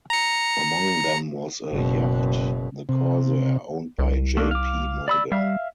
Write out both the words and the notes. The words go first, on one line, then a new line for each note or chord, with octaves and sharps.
Among them was a yacht, the "Corsair", owned by J. P. Morgan.
A#5 C#7
F#1 B2
C3
C2
A3 A#3 D4
F5 D6
D5 B5 E6
G3 E5 F5